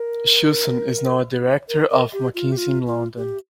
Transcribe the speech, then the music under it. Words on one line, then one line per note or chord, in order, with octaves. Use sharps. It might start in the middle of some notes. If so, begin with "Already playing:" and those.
Shilson is now a director of McKinsey in London.
Already playing: A#4
A#4
A#4
G4
F4
G4
F4
F4
G4